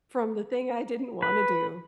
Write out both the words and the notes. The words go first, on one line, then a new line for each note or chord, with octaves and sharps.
from the thing I didn't wanna do."
B4